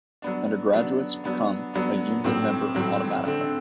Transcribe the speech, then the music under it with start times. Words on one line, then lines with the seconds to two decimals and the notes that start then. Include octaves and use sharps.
Undergraduates become a Union member automatically.
0.22 F#3 B3 D4
0.73 F#3 B3 D4
1.24 F#3 B3 D4
1.74 F#3 B3 D4
2.24 A2 F#3 C4
2.75 A2 F#3 C4
3.25 D3 A3 C4